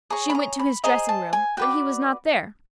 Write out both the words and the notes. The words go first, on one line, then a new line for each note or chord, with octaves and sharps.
She went to his dressing-room, but he was not there.
G#4 C#5 A#5
B5
A#5
B5
G#4 C5 D#5 A#5
A5
G#5
F#4 B4 D5 G5